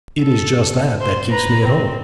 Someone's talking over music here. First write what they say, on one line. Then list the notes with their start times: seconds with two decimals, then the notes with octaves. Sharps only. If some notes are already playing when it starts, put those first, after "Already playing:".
'It is just that that keeps me at home.
0.21 A4
1.01 C5
1.30 B4 A#5
1.65 C4